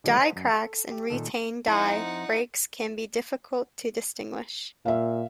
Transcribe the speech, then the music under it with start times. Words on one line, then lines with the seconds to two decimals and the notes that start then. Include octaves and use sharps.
Die cracks and retained die breaks can be difficult to distinguish.
0.04 D3 D#3 F#3 G#3 A3
0.18 C5 D#5 F#5 A5
0.36 F#2
0.53 A4
0.91 G4
1.10 A#2 D#3 A4
1.68 F2 D#4 E4 C5 F#5 A#5
4.85 A#2 E5 F5